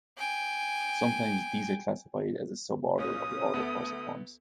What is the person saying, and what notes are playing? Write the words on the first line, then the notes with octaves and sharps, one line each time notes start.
Sometimes these are classified as a suborder of the order Perciformes.
G5 G#5
C#2 A#2 C#4 D#6
D2 B3 A4